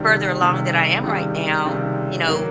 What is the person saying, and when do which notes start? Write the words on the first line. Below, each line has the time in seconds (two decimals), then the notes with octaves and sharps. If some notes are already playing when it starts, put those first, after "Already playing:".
further along than I am right now, you know,
Already playing: C#2 C3 D#3 G3
0.41 C#2 C3 D#3 G3
1.03 C#2 C3 D#3 G3
1.65 C#2 C3 D#3 G3
2.28 D#3 F#3 A#3